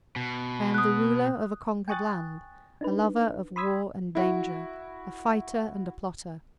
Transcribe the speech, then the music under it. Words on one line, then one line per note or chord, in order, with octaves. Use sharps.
I am the ruler of a conquered land, a lover of war and danger, a fighter and a plotter.
B2
D#6 F#6
G5 G#5 C#6 D#6 F#6 A6
D4 D#4 B4
B5 C6 D#6 E6 G#6 B6
E4 F#4